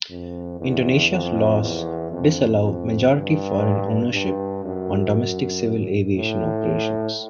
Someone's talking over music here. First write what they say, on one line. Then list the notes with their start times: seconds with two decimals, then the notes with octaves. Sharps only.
Indonesia's laws disallow majority foreign ownership on domestic civil aviation operations.
0.10 F2
0.60 E2
1.11 F2
1.62 E2
2.12 F2
2.62 F2
3.13 G2
4.14 G2
4.64 F#2
6.16 A2